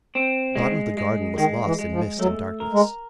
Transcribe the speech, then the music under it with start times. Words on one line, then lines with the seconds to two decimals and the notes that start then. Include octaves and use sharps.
The bottom of the garden was lost in mist and darkness.
0.15 C4
0.56 G#3
0.97 G#3
1.37 D#3 G#3
1.65 E3
1.79 G#3
1.92 F3
2.19 F#3 A3
2.60 A#4
2.73 G#3